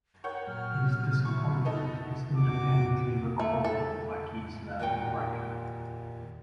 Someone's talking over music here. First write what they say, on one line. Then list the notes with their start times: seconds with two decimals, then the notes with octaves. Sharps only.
His disappointment is independently recorded by Giesler and Breker.
0.24 A#4 C#5 F#5 G5 C#6 G6
0.47 A#2 F#3 F6
1.25 E4 C#6
1.65 B3 D#4 A4
2.36 B1 G2 A#2 F#4 D6
3.40 A3
3.64 A4
4.79 D#2 A#2 F#4 F#5 G5